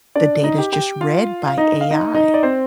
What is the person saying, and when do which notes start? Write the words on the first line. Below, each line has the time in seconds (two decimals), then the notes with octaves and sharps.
The data is just read by AI.
0.15 D4 D5
0.44 D#4 D#5
0.58 G4 G5
0.72 G4 G5
1.01 F4 F5
1.47 F5
1.58 D#4 D#5
1.72 D#5
1.81 F5
1.91 D#4 D#5
2.14 D#4 D#5
2.34 D5
2.43 C4 C5